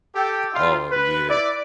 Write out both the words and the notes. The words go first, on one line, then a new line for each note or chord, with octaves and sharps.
Oh yeah.
G4 A4 G5
F4
B4
E4 D5